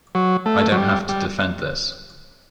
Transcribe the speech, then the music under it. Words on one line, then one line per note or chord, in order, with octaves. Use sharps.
I don't have to defend this.
F#3
A3
F#3
G3
G3